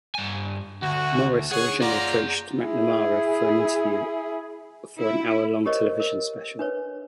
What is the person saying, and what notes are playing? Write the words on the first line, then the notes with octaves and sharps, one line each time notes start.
Morris originally approached McNamara for an interview for an hour-long television special.
G2 G#5
D2 F#4
G#4 C#5 F#5
F4 G#4 D5 F#5 A#5
E4 G#4
E4
G4 A#4 C5 C#5 D#5
A#4
D4 B4 C#5